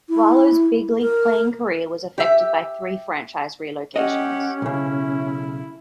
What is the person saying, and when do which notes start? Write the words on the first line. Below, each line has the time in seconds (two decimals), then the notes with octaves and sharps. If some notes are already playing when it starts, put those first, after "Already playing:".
Valo's big-league playing career was affected by three franchise relocations.
0.09 E4
1.02 A#4
2.18 G4 E5
3.96 C#4 G4 D#5 F#5
4.62 B1 C#3 E4